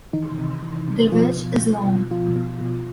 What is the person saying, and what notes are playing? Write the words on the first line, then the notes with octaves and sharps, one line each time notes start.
The ridge is long.
D#3 E3 D#4
C3
E3
C3
B2 F3 F4
B2
B2
B2
B2 F3 F4
B2
B2